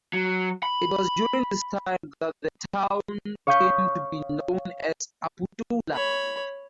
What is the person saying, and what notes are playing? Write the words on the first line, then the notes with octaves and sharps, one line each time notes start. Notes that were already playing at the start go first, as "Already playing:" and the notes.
It was during this time that the town came to be known as Aputula.
F#3
B5
C#5 F5 C#6 D#6 G6 B6
C#5 B5